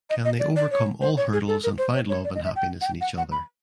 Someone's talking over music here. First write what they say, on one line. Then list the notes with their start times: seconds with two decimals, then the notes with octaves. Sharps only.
Can they overcome all hurdles and find love and happiness in each other?
0.10 D#5
0.25 D#5
0.40 D5
0.56 D5
0.72 C#5
1.01 C5
1.17 C#5
1.33 G#4
1.48 A4
1.64 A#4
1.78 C5
1.95 C#5
2.09 C#5
2.24 D5
2.35 D#5
2.45 E5
2.56 G5
2.81 F#5
2.86 G5
3.01 F#5
3.18 F#5
3.32 B5